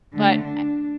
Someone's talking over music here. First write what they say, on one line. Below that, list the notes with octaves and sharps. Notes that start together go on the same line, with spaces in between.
but I
D3 A3
D4